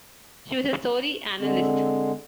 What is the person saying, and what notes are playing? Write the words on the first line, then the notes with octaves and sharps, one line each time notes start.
She was a story analyst.
D3 G#3 C4